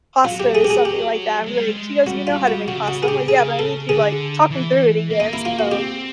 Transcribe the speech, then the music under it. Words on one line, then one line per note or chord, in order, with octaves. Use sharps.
pasta or something like that?" I'm like she goes, "You know how to make pasta." I'm, like, "Yeah, but I need you, like talk me through it again." So,
F#3 F4
G4
G#4
G4
G#4
G4
G#3
G3
G#3
G3 F#4
F4
F#4
C#3 F#4
F#4
G#4
G4
C#3 G#4
A4
D3 G#4
E3
A#3
D#4
E4
F4
F#4
C4 G4